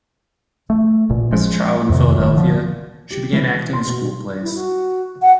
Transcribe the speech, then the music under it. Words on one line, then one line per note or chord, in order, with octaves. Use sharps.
As a child in Philadelphia, she began acting in school plays.
A3
A1 A#2
F3 G#3 C#4
F2 G#2 C3 D#3
E1 A1 G2 D#3
D3 F3
G4
E3
C6
B2
E4
F#4
F#5